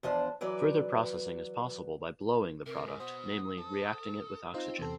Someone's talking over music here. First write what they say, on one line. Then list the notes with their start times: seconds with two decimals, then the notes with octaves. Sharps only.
Further processing is possible by "blowing" the product: namely reacting it with oxygen.
0.03 E2 F3 D4 C5
0.41 E3 F#3 B4 D5
2.66 C3 A#4
2.85 G#2
3.00 B3 F#4 C5 D#6
3.58 A4
4.54 C4 D#4 F4 C5
4.79 E2 C3 A4